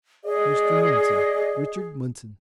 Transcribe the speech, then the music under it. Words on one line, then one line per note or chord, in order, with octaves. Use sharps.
"Mr. Munson, Richard Munson."
G#4 D5 D#5